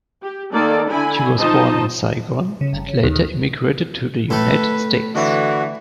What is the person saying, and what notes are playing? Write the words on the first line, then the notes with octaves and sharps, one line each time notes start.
She was born in Saigon, and later immigrated to the United States.
G4
D#3 A#3 A4 D5
D3 E4 G#5 B5
F3 D#4 C5 D#5 A5
C#3
G1
C#3
D#2
A2 A3 A4 B4
D3 E3 F#4